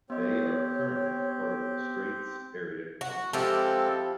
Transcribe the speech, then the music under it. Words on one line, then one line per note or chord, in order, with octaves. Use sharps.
They are currently part of the Straits Area Conference.
B3 C4 G4 C#5 D#5
F#4
F3 G#3 C4 E4 G4 A4